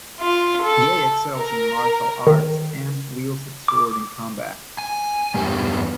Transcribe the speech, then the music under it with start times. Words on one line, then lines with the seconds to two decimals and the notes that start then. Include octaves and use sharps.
Ye excels in martial arts and wields a sword in combat.
0.20 F4
0.62 A4
1.38 A#4
2.27 D#3
3.68 D6
4.79 G#5
5.34 E2 G2 B3 G4